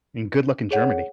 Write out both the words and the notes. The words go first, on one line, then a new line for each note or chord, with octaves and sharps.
And good luck in Germany.
G#4 C#5 F#5